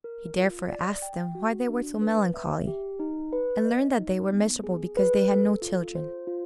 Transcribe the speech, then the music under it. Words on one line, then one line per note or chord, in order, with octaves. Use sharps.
He therefore asked them why they were so melancholy, and learned that they were miserable because they had no children.
A#4
F4
D5
G5
F#4
D4
B4
E5
G4
D#4
B4
D#5
D#4
B3
G#4
B4
A4
F4
C5
F4